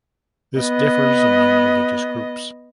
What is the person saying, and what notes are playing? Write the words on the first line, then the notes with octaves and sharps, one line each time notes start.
This differs among religious groups.
B3 D#5